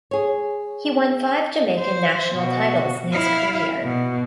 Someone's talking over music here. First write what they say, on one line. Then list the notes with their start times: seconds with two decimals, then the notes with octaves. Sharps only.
He won five Jamaican national titles in his career.
0.11 G#4 C#5
1.79 C5
2.33 B2 F#4
3.12 E4 F5
3.84 B2